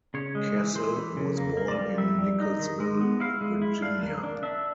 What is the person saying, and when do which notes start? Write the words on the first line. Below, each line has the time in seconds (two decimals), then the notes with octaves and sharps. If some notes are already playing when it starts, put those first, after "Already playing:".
Cassell was born in Nickelsville, Virginia.
0.14 C#3 C#5
0.35 G#3
0.55 E3
0.75 E3 C5
0.96 E3
1.17 C#3
1.37 A#3
1.57 A#3
1.68 D5
1.78 G3
1.98 G3 E5
2.18 G3
2.40 D#4
2.59 D#3
2.80 G#3
3.01 B3
3.20 E4 F5
3.41 G#3
3.62 E4
3.82 D4 F5
4.02 A#3
4.23 D4
4.43 D4 E5